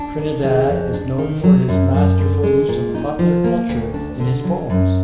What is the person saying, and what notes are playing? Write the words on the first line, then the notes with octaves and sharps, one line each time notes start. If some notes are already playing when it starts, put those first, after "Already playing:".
Trinidad is known for his masterful use of popular culture in his poems.
Already playing: D4
D#3
G#3
F2
D4
D#3
F#3
F#2
F#2
D3
G#3
A#2
D#4
F3
A#3
D2
D4
D3
F#3
F#2